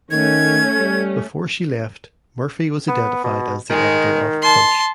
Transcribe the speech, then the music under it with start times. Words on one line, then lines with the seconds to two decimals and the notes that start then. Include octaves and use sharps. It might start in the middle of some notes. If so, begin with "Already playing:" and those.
Before she left Murphy was identified as the editor of "Punch".
0.11 D#3 A3 C#4 G#6
0.77 G3
2.88 B3
3.24 B2
3.70 D#3 G#3
4.42 A5 C6